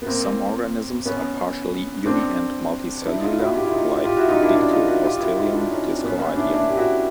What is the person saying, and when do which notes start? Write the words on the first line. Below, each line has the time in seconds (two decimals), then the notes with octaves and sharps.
Some organisms are partially uni- and multicellular, like "Dictyostelium discoideum".
0.02 B3
0.07 A#3 C4
1.05 B3 C#4
2.06 C4 D4
3.05 D4 E4
3.21 D#4 F4
3.38 E4 F#4
3.54 F4 G4
3.64 E4
3.71 D#4 F4
4.04 F4 G4
4.17 E4 F#4
4.29 D#4 F4
4.42 D4 E4
4.55 D4 E4
4.70 D#4 F4
4.87 E4 F#4
5.03 F4 G4
5.20 E4 F#4
5.36 D#4 F4
5.53 D4 E4
5.69 C#4 D#4
5.87 C4 D4
6.04 B3 C#4
6.19 B3 C#4
6.36 D4 E4
6.53 D4 E4
6.69 G4
6.77 E4 F#4